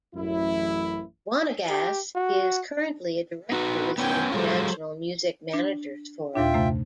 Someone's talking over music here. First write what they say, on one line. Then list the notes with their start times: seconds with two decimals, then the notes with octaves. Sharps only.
Wanagas is currently a director with the International Music Manager's Forum.
0.15 A1 F#2 E4
1.70 G4
2.15 F#4
3.52 D#4 F#4 B4
3.98 B3 C#4 F#4 G5 G#5
4.32 F#3 G#3 F4 A4 C5 C#5
5.54 D4
6.35 D#2 A#2 D4 F4 E5 G5
6.54 F#2 C3 A3